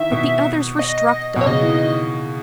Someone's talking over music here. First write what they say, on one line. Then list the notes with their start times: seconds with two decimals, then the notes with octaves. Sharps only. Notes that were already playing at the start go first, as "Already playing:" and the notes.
But the others were struck dumb.
Already playing: D#3 E3 E5
0.11 B2
0.79 D#5
1.36 B2 C#5
1.46 C#3 D#5
1.61 E3
1.68 D#3